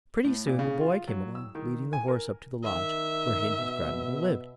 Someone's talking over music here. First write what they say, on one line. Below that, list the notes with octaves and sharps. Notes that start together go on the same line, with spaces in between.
Pretty soon the boy came along, leading the horse up to the lodge where he and his grandmother lived.
A2
A#2
C#3
F4
F#3
E6
D#3
G#5
A#4
D#3 E5
B2